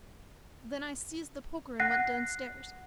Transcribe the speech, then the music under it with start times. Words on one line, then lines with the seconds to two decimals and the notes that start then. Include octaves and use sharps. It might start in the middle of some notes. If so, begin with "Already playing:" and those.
Then I seized the poker and went downstairs.
1.80 F#5 F#6 A#6 C7